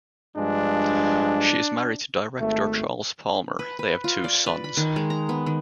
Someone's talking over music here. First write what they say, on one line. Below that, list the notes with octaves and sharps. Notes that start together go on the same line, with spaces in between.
She is married to director Charles Palmer; they have two sons.
G2 F3 G#3 D4
G#1 A3
B4
B4
F4
D5
B4
B5
D#3
G#3
A#5
B3
D#3